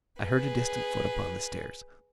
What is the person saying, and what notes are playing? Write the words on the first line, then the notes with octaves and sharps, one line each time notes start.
I heard a distant foot upon the stairs.
G#4 B4